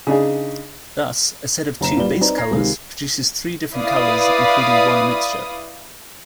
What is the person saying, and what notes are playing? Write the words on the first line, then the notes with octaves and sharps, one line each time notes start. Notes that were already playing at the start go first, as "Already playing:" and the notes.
Thus, a set of two base colours produces three different colours including one mixture.
C#3 D4 D#4 G#4
F#1 A#5 E7
A#2 G3 B4 D5 G7
G3 F#4
C4 D#4 B4 D5 A#5
A#5 G#6 A#6 C7
C#2 C3 D#3
E4 B4 D5 F5 D#6